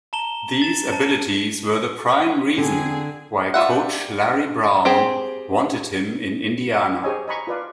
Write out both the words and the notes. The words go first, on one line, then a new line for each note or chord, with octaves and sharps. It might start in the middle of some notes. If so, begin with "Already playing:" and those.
These abilities were the prime reason why coach Larry Brown wanted him in Indiana.
A5 A#5 E7 G7
A6 E7
A5
D3 C4 G#4
G3 F4 E5 F#5
C4 G4 G#4 C5
G4 G#4 C5 C#5 D#5 G#5
D#5 G#5 A#5 B5 C#6
F4 B4 D5 F5